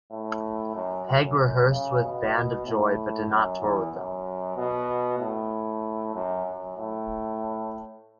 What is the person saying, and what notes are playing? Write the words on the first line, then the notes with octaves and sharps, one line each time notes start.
Pegg rehearsed with Band of Joy but did not tour with them.
A2
F#2
F#2
C#3
B2
A2
F#2
E2
F#2
B2
A2
F#2
F#2
A2